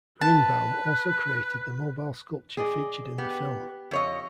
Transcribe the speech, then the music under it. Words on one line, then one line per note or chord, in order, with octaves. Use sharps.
Greenbaum also created the mobile sculpture featured in the film.
B4 A5
G#4 D5 D#5
B3 G4
F2 C#5 D#5